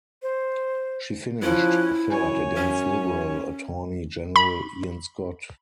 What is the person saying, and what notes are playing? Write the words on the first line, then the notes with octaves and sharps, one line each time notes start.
She finished third against Liberal Attorney-General Ian Scott.
C5
F3 C#4 E4 F#6
F#2 C#5 G#5
C#4
B5